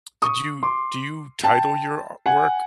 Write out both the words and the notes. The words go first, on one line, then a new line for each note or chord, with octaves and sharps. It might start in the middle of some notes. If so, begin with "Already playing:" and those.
Did you do you title your a work?
C#6 D#6
C6 D6
G5 A5
F#5 G#5